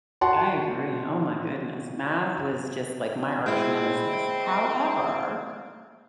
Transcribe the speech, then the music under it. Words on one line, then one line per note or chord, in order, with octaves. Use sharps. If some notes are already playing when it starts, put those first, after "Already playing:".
I agree, oh my goodness. Math was just like my arch-nemesis. However
F#4 F#5 A5 C6
G#3 C4 E4